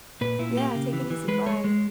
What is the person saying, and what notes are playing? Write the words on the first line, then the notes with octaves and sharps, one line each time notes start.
Yeah, take it easy, bye.
A#2 B4
A#2 E4
A#3 G4
C#3
E3
E3
G#3 B4
G#3 C#5
G#3